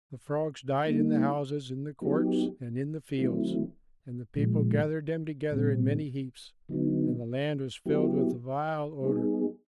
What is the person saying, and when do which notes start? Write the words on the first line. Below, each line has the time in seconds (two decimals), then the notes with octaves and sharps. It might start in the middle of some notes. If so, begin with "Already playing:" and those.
The frogs died in the houses, in the courts, and in the fields, and the people gathered them together in many heaps; and the land was filled with a vile odor.
0.85 G3 A#3 D#4
2.01 F#3 B3 D#4 G4
3.18 D#3 F#3 A3 C4 E4
4.35 A#2 F3 G#3
5.51 A#2 G3 C4
6.69 D3 F#3 B3 D#4
7.86 F#3 B3 E4 G4
9.01 G3 B3 D#4 G#4